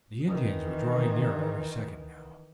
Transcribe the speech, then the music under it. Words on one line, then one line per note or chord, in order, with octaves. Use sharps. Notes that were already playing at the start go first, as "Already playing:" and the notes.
The Indians were drawing nearer every second now.
D#3 E3